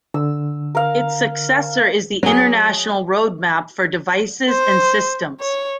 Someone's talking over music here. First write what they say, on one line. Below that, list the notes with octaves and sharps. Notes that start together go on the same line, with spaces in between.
Its successor is the International Roadmap for Devices and Systems.
D3 E6
A#4 F5
F#3 G#4
C5
C#5